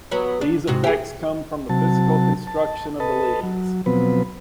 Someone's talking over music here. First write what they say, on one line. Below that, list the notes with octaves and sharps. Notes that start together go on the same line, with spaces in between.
These effects come from the physical construction of the leads.
F#3 B3 C#5
D4
G#2 C3 F#4
G4 G#4
C3 F#3 A5
A5
A4 B4 D#5 A5
F#3
B2 F3 F#3 B3 C4 B4